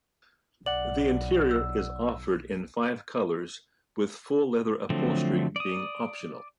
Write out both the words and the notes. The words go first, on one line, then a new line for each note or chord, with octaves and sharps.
The interior is offered in five colours with full leather upholstery being optional.
B1 D5 F#5 F#7
E6
D3 F3 F#3 A3 C4
D5 D#6